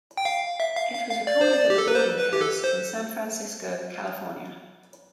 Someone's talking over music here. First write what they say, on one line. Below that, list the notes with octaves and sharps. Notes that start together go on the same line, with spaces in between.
It was recorded at The Boarding House in San Francisco, California.
G5
F5
E5
F5
F5
F5
D5
C5
D5
G4
A4
B4
C5
B4
G4
A4
C5